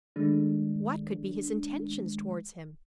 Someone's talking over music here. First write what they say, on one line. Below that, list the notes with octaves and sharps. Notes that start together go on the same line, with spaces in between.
What could be his intentions towards him?
D#3 G#3 A3 D4